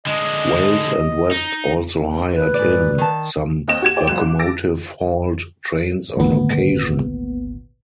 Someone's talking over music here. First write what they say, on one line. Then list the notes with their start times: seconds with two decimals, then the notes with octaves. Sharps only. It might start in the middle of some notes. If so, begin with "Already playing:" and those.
Wales and West also hired-in some locomotive-hauled trains on occasion.
0.07 D3 G#3 D#5
1.31 D#4
2.33 B4
2.54 G#2 D5
2.98 D#3 A5
3.68 D#2 C4 D#5 A#6 E7
3.82 F#4 G4 G#6 E7
3.96 G#4 C5 D5 G5
4.08 F#1 C#2 F#2 F#6 E7
4.21 D6
4.39 D6 E6 A6 A#6 D7
6.17 G#1 D2 A#2 B3